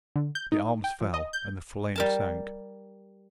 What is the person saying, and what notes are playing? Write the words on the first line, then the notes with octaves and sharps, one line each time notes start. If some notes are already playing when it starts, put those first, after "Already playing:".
The arms fell and the flame sank.
D3
G6
D#4
G5
F3
D#5
G6
G3 A#4 A5